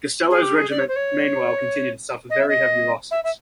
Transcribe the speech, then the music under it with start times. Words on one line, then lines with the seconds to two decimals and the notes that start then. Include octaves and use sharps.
Gastello's regiment meanwhile continued to suffer very heavy losses.
0.30 G#4
0.42 G4
0.55 G#4
0.70 D5
0.79 C#5
0.88 C5
0.96 C#5
2.30 D#5
2.40 E5
2.48 D#5
3.11 E5
3.24 E5